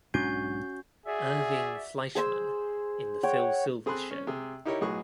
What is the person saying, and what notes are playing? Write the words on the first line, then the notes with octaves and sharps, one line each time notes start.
Irving Fleischman in "The Phil Silvers Show".
B1 G#2 C#4 D4 F#4 G6
F#4 G#4 D5 E5
G#4 C5 E6
C#5 F#5 G5
C4 G#4 A4 B5 C6 F#6
C#4
C3 G#4
D#4 E4 G4 A#4 C#5 D#5
B1 A2 G#4 C#6 F#6